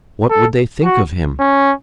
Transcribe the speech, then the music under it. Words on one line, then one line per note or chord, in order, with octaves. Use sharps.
What would they think of him?
A4
F#4
C#4